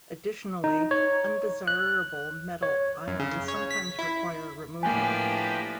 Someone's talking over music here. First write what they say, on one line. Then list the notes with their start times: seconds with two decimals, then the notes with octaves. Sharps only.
Additionally, undesirable metal ions sometimes require removal.
0.64 D#4
0.91 C#5
1.68 F#6
2.63 C#5
3.08 F#2
3.19 C#3
3.48 C#5
3.71 B6
3.99 E4
4.83 A2 F3 A#3 D4 G4 B4 G#5